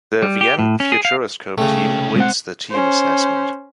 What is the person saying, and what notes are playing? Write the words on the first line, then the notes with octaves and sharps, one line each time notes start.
The Vienne Futuroscope team wins the team assessment.
G3
G4
A2
C#4
G#4
F5
C2 C#3 A3 C#4 G5
B1 G#3 C4 C5 F#5
C#4 C5